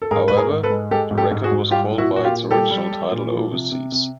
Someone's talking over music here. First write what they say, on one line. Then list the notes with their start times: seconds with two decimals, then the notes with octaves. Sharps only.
However, the record was called by its original title overseas.
0.02 A4
0.11 G#2 G#4 A#4
0.28 G#2 B4
0.37 G#4 A#4
0.51 G#2
0.63 A4 B4
0.70 G#3
0.91 G#3 G4 A4
1.11 G#2
1.18 G4 A4
1.31 G#2
1.44 F#4 G#4
1.51 G#2
1.71 G3 F4 G4
1.91 A#2
1.98 E4 F#4
2.11 A#2
2.16 F#4
2.24 F4 G4
2.31 A#2
2.51 G3 G4 A4
2.71 G3
2.91 G3
3.11 A#2
3.31 F3
3.52 C3
3.72 C3
3.92 C3